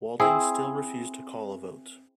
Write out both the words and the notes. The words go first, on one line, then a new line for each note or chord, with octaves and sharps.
Walding still refused to call a vote.
C4 E4 G#4